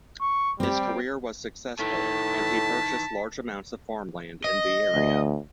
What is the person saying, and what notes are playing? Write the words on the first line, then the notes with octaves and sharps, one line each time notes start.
His career was successful, and he purchased large amounts of farmland in the area.
C#6
G3 C4 G4
A2 D#3 E3 A5 B6
D#5
D2